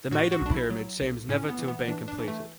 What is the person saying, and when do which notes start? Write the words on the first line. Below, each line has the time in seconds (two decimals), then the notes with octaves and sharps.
The Meidum Pyramid seems never to have been completed.
0.11 A2 F#4
0.32 F#4
0.41 B1 D4
0.51 E4
0.70 F#3
1.01 B1
1.29 A2 C#4
1.49 B3
1.59 E3
1.68 B3
1.88 E3 D4
2.08 D4
2.18 E3
2.28 A3